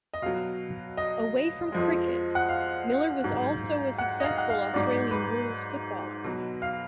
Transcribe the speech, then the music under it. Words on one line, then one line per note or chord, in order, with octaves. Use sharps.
Away from cricket, Miller was also a successful Australian rules footballer.
D#5
B2 F#3 F5
D#5
F2 F3 G#3
F#5
F5
G#2 F#3
F#5
D#5
F5
F#5
F5
G#2 F#3 D5
B4
B2 F#3
F5